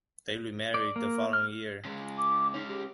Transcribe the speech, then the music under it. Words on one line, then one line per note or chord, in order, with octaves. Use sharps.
They remarried the following year.
D5
A#3
F6
C#3 G#3
D6
G#3 C#4 D#4
G4